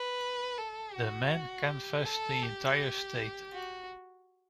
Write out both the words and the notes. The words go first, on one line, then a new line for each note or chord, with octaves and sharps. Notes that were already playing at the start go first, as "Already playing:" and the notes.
The men canvased the entire state.
Already playing: B4
A4
F#4
G4
A4
G4
F#4